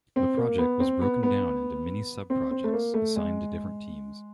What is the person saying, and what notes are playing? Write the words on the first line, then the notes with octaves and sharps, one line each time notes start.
The project was broken down into many subprojects assigned to different teams.
C4
A#3
B3
C4
B3
B3
C4
C4
A3
A#3
A3
G#3